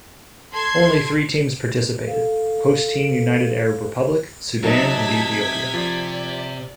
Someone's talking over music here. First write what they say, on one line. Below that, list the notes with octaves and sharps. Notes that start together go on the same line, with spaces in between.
Only three teams participated: host team United Arab Republic, Sudan and Ethiopia.
A4 A5 C6 G#6 C7
A4 F5
C3 F#3 D#4 A5 G#6 B6
F3 D5